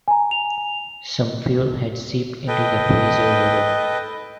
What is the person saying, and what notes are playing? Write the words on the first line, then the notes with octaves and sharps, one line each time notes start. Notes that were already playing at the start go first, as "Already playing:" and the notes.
Some fuel had seeped into the Fraser River.
G#5 A#5
F7
A4 B4 D#5 G5